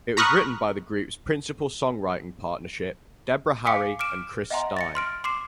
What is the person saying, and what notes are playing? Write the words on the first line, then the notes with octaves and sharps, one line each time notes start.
It was written by the group's principal songwriting partnership, Deborah Harry and Chris Stein.
A#5 B5 C#6 D#6 F6 F#6
F5 G#5 D6 B6 C#7
D6 F6 D7 E7
D#5 E5 F#5 G#5 A#5 C6
A6 A#6 C#7
C6 F6 D7
C6 D6 C7 E7